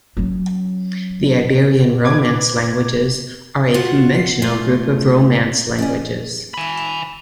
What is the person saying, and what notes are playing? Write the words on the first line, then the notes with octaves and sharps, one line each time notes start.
The Iberian Romance languages are a conventional group of Romance languages.
F#3 C#4
B4 D6 G#6
F4 F#4 F#5
A3 F4
C#4 D5 D#5
G#5 B5